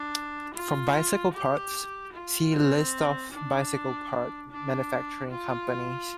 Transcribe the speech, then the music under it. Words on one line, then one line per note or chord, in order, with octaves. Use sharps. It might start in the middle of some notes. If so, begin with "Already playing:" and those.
For bicycle parts, see List of bicycle part manufacturing companies.
Already playing: D4
F4
G4
F4
C4
D4
D4
F4